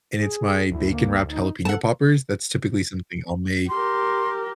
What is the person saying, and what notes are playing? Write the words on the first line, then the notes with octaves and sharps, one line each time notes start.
and it's my bacon-wrapped jalapeno poppers. That's typically something I'll make
G#4
D2 E4
A#3
D#4
A4 F#5 A5
G4 A#4 C6